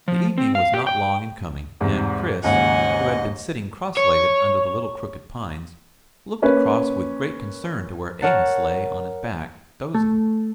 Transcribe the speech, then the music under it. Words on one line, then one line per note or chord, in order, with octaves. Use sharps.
The evening was not long in coming, and Chris, who had been sitting cross-legged under the little crooked pines, looked across with great concern to where Amos lay on his back, dozing.
F3
C4
F5
G4
G5
E2 G#2 C3
D#2 G#2 C#3 D#5 F#5 G#5
C#5
A#3 C#4 B4
A#4 C#5 F#5 A5
A3